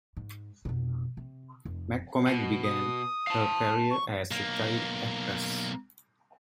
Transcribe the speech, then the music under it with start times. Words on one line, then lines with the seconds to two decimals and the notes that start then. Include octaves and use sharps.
McCormack began her career as a child actress.
0.17 G#2
0.65 F1 B2
1.17 C3
1.65 F1
2.27 B2
2.64 D#6
3.27 F5 A5
3.90 C#6
4.31 B1 A#3